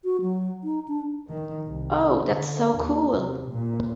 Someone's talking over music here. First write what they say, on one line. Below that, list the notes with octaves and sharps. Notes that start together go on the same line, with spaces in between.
Ooh! That's so cool!
F#4
F#3
D#4
D4
D#3
C2
D3
D#2
C3
A#2